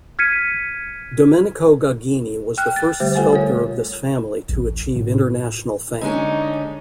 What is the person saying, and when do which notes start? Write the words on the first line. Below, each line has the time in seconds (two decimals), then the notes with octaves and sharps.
Domenico Gagini was the first sculptor of this family to achieve international fame.
0.19 F6 G#6 B6 C#7 D#7
2.58 G5 F6 F#6
2.76 A6
3.00 D3 G3 A3 G4 C5
3.14 F4 A4 F#5 G#5 A6
3.31 A3 F4 A#4 C#5
4.49 A1
4.96 A2
6.01 D3 G#3 C#4 D#4